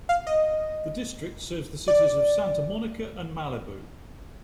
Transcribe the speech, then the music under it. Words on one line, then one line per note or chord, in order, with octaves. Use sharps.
The district serves the cities of Santa Monica and Malibu.
F5
D#5
D5